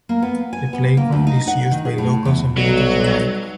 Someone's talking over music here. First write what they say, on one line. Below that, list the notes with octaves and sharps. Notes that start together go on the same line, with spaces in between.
The playground is used by locals and visitors alike.
A#3
B3
G#5
B3
A#3
D2
D#4
F#5
D#3
G#4
A2
E2
B1 F#3 G3